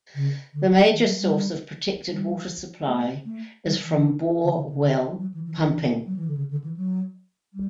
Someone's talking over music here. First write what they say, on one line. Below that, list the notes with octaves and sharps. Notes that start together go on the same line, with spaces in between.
The major source of protected water supply is from bore well pumping.
C#3
D3
E3
F#3
G3
G3
A3
A3
G3
E3
D3
D3
C#3
D3
F#3
E3
E3
E3
F#3
E3
D3
C#3
D3
E3
F#3
G3